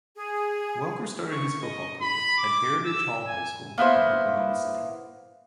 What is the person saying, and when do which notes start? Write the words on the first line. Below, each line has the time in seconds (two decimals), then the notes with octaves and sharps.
Welker started his football career at Heritage Hall High School in Oklahoma City.
0.16 G#4
1.32 C#6
1.62 D#5
2.01 B5
2.38 D6
2.85 E6
3.26 G#5
3.78 A#3 B3 E4 C5